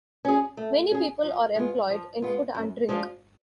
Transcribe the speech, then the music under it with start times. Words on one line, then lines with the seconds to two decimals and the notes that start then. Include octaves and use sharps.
Many people are employed in food and drink.
0.25 C#4 G#4
0.57 A3
0.91 C#4 G#4
1.23 F3
1.56 G#3 B3 F4
1.90 F3
2.22 G#3 B3 F4
2.55 F#2
2.89 F3 G#3 D4 F4